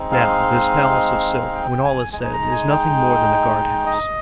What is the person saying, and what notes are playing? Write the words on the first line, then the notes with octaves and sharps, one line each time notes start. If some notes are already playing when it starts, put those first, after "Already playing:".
Now this palace of silk, when all is said, is nothing more than a guard- house.
Already playing: G#3 C4 D#4
F5
G5
G#5
G#3 D#4 G#5
G#5
A#5
G#5
G5
D#5